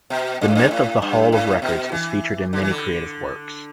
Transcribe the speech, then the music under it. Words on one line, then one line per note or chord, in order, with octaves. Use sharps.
The myth of the Hall of Records is featured in many creative works.
B2
G2
A2
G2
A2
G2
A2
B2
E3
D3
E3
D3